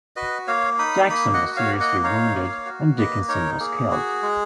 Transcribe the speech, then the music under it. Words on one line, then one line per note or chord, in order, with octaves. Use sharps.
Jackson was seriously wounded and Dickinson was killed.
F#4 B4 D#5
A#3 C#5 F5
D#4 B5 D#6
A#3 B5 D#6
D#5 F#5
F#4
C#5 F5
A#3
D#5 F#5
D#4 C#5 F5
A#3
F#4
A#3 B4 D#5
D#4 A#4 C#5
A#3 G#4
F#4
G#3